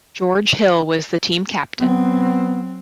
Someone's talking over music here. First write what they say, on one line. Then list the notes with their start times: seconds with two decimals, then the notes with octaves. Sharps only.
George Hill was the team captain.
1.79 F#3 B3 C4